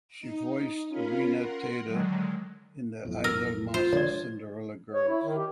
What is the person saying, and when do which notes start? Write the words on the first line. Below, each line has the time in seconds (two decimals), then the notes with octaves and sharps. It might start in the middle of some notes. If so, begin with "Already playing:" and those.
She voiced Riina Tada in "The Idolmaster Cinderella Girls".
0.21 D#4
0.89 C#4 F4 A#4 B5
1.36 A#4 F#5 C6
1.84 D3 D#3 F#3 G#3
3.05 B1 F2 A2
3.24 A#4 E6
3.74 F4 C5
3.93 D3 F3 G#3 C#5 D5
4.94 C#5
5.07 E4
5.23 D#3
5.36 G4